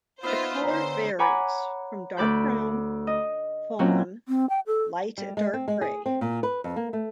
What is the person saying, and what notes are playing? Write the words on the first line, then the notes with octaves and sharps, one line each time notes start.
The colour varies from dark brown, fawn, light and dark grey.
B3 D#4 F4 C5 E5 F5
D3 C5 C#5 G#5 A#5
C#5 F#5 G#5 A#5 B5 D6
D2 D5 B5 G6
D#5
A#2 F#3 C4 C#4
C4
G5
A4
G3
G#3
C4
G#3
G#4
C4
A#2
B4
F2
A#3
A3